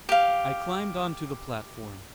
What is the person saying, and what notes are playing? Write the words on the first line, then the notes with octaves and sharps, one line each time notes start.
I climbed onto the platform.
G4 F5